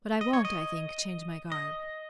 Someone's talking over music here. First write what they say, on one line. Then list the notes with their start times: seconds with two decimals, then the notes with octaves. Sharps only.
But I won't, I think, change my garb.
0.21 D#5
0.33 C#5
0.45 D#5
1.52 D#5